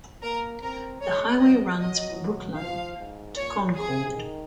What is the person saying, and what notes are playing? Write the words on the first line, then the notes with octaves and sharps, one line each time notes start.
The highway runs from Brookline to Concord.
A#3 A#4
C4 A#4
G#3 C#5
F#3 D#5
F#3 D#5
F3 F5
G#2
A#2 C#5
C3 G#4
D#3